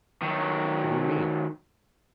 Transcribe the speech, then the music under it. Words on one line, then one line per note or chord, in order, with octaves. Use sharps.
What do you mean?
D#3 F#3